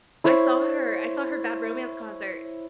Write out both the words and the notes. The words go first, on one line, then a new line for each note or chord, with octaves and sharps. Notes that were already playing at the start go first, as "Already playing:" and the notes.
I saw her I saw her Bad Romance concert.
E4 C5 C#5